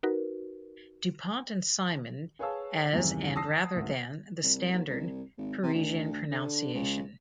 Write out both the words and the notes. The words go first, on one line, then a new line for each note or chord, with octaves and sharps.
Dupont and Simon as and rather than the standard Parisian pronunciation.
D#4 F#4 A#4 B4
G#4 B4 C#5 F5 A5 E6
E2 G2 C3 D#3 E3
A5 D#6 E6 A#6 C7
F#1 D2 G#2
C2
D#2
C2
G#1
C3
D2
D3
C#2